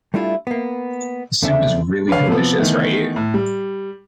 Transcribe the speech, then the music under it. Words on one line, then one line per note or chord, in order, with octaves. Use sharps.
This soup is really delicious, right?
G3 A3 D4 E4 F4
A#3 B3
E2 C#3 A3 C4 D4 E5
D4 B4 C#5 F5
C3 F3 B3
D#3 E3 A3 B3
A2
G3